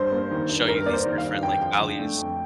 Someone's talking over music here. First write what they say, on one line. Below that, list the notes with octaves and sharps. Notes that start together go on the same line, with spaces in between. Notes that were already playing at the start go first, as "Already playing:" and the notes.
show you these different, like, values.
Already playing: G2 C5
A#3
D#3
G2
G2 A#4
A#3 D5
C5
D#3
F5
G2
F2 G5
F3
D3
A3
F2